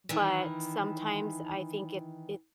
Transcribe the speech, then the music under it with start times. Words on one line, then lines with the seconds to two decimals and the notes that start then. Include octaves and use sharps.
but sometimes I think it it
0.09 D#3 E3